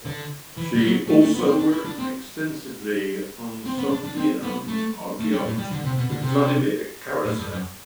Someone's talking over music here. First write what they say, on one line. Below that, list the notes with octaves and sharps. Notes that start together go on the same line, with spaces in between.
She also worked extensively on Sogdian archaeology with Vladimir Karasev.
D3
E3
G3
F#3
A3
A3
B3
C4
D4
E4
D4
C4
C4
B3
D4
D4
C4
B3
A3
A3
G3
A2
G3
D3
C3
B2
D3
C3
A2
G2
F#2